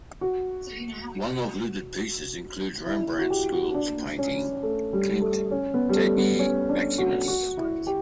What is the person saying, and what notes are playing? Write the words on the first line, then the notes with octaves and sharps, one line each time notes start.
One of looted pieces includes Rembrandt school's painting 'Klint Tabie Maximus'.
F#4
E4
E4
F#4
G4
F#4
D4
C#4
A3
G3
A3
C#4
B3
G3
A3
B3
C#4
D4
F#4
F#4
E4
G4